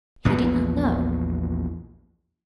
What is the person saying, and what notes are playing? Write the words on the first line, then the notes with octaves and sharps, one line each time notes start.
He did not know.
A#1 E2 B3